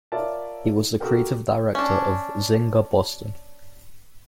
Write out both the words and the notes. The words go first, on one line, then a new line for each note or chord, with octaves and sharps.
He was the creative director of Zynga Boston.
F4 A#4 C#5 D5 E5 A5
F#4 G4 A4 A#4 G5
C#4 D4